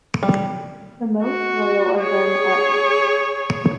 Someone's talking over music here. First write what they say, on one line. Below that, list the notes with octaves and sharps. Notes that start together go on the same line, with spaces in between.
The most royal of them are angels.
G3
F#4
G#4 C#5